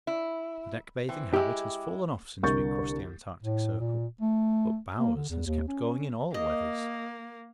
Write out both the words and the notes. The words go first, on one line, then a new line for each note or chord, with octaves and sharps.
The deck bathing habit has fallen off since we crossed the Antarctic circle, but Bowers has kept going in all weathers.
E4
E3 C4
G#3 E4 G4
C2 D3 A#4 C#6 G6 A6
A2
A#2
A3
A#3
D3
E2
D#2
C#4
A#3 D#5